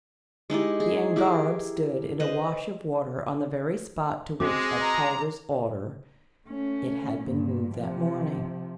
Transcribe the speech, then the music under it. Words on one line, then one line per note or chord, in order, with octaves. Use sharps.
The angareb stood in a wash of water on the very spot to which at Calder's order it had been moved that morning.
G#3 D#4 E4 G4
G#4
E4 G4 G#4 A#4
B4 C5 D#5
G#3 C4 F#4 D6
A#5
A3 C#4
G2 A#2
C3 F3